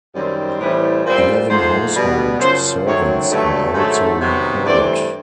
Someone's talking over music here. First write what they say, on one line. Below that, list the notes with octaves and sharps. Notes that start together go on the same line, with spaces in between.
Eleven household servants are also recorded.
F#2 D#3 G3 C4
A2 E3 G3 C4 B4
A#2 G3 C4 C5
G#2 F3 A3 C5
B2 G3 B3
F#2 C#3 F3 C5
F#2 D#3 F#3 A3 C4 C#5
G2 D3 F#3 A3
G#2 D#3 F#3 A3
C3 D#3 F#3 B3
G2 E3 A3 C4 D5